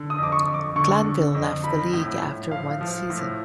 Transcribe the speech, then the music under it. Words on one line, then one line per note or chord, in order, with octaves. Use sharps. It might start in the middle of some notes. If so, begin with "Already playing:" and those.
Glanville left the league after one season.
Already playing: D3
D#6
F2 D6
C#6
F2
D6
D3 C#6
D3
F2
F3 B5
A2
A2
F3 F5
F3
A2